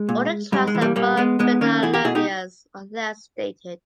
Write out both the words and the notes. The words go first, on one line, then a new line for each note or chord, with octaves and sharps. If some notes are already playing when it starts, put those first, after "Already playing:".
All the tracks are from Bernard Lavilliers, unless stated.
Already playing: G#3
A#2
G#2 G3
G#3
E3
G3 A#3
A#2 G3 A#3
G#3 B3
G#2 G#3 B3
D#3 A#3 C#4
E2 E4 G#4
G4 A#4
B2 E4 G#4
D#4 G4